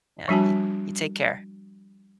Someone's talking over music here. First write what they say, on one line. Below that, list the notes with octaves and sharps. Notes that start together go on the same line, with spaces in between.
Yeah. You you take care.
F3 G3 D4 F#4 G#5 A5